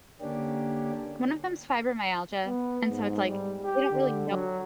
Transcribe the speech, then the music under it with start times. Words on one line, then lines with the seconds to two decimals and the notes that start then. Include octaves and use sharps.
one of them's fibromyalgia, and so it's like, they don't really know
0.21 D3 A#3 C#4 D4 G4
2.46 B3
2.89 G#2
3.27 G3
3.63 G4
3.92 D3
4.30 F#3